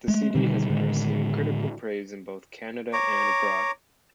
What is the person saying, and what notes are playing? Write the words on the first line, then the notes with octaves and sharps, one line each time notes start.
The CD has been receiving critical praise both in Canada and abroad.
G#3 A3
B2 D3 D#3 G3
A2 D3 D#3 G#3
C#5 A#5 D6